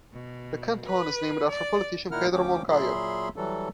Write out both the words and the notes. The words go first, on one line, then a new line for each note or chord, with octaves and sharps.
The canton is named after politician Pedro Moncayo.
B2
B4
D5
A#2 D#3 E4 A#4 F#5 F6
D2 F3 C#4 G5 D6
A#2 F#3 G#4 E5 B5 C6
E3 F#3 G3 A4